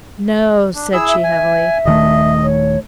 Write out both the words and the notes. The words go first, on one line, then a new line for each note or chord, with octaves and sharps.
'No!' said she, heavily.
D4
E4 G#4 E6
E5
G#5
D#1 D#3 A3 D#5
C#5